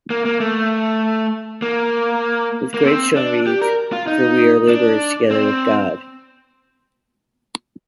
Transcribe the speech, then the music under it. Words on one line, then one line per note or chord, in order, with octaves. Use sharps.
His gravestone reads 'For we are labourers together with God'.
A#3
A#3
A3
A#3
A#3
C4
D4
G4
A#4
F4
D#4
D4
C4